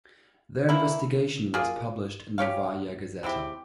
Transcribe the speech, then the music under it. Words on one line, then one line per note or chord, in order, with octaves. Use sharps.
Their investigation was published in "Novaya Gazeta".
E3 A#3 E4
A#3 F4 G#4
C#4 G4 C#5 F5
G#3 C4 E4 G4